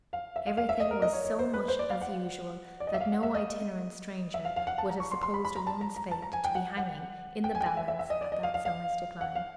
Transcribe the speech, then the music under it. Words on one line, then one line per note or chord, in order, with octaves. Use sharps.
Everything was so much as usual that no itinerant stranger would have supposed a woman's fate to be hanging in the balance at that summer's decline.
F5
E5
F5
F5
E5
D#5
A#4
D#5
C#5
C#5
C5
B4
C5
D5
F5
F#5
D5
D#5
E5
F5
F#5
E5
D#5
E5
F5
F5
F#5
A5
A#5
C#6
C6
C6
B5
B5
A#5
A5
A#5
A#5
A5
A#5
G#5
G5
F#5
F#5
G5
G#5
G5
G#5
E5
E5
E5
D#5
D5
D#5
F5
F5
F5
F#5
F5